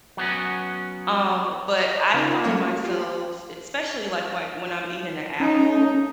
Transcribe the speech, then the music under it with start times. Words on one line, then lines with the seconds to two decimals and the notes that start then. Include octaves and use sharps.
um, but I find myself, especially, like, why when I'm eating a apple.
0.17 F#3 B3 C#4
1.77 C#5 D#5
2.14 C#3 D#4 F4 A#4
2.43 F#3 A3 A#3 C#4 A#4 C#5
2.84 F4 G4
5.40 C#4 D#4